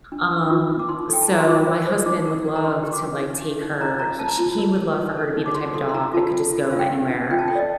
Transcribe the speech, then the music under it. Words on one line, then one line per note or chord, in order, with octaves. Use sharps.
Um, so my husband would love to, like, take her he she he would love for her to be the type of dog that could just go anywhere.
D4
D4
F4
D4
D6
D#4 C6
A4 G5
A5
D#4 A#5
C6
F4 D6
C5
C5
D#4 D6
A#4
A#4
A#5
D4 C6
G4
D6
D4
D#4
G4
D#4
D#4 A#5
A#4 A#5
A#4 A5
A#5
F4 A5
A#4
A#4
D#4
A4
D#4
D6
D#4 C6
A4 C6
C6
D#4 A#5
F4 A5
A4
F4
D4 F5
G5
F5
G4
D4
F4 G5
A5
A4 G5
D5
D#5